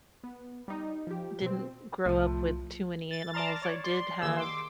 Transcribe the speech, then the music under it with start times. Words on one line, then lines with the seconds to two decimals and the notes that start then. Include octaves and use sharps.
didn't grow up with too many animals. I did have,
0.24 B3
0.68 G3 D#4
1.07 F3 G4
1.42 B2 C4
2.06 C2 A2 F3
3.11 A6
3.33 D5 A5 A#5 C6 F6 A6
3.62 C#5 D5
3.84 D5 C6
4.21 D#3 A#3 G4 G#4 E6
4.37 C6 D6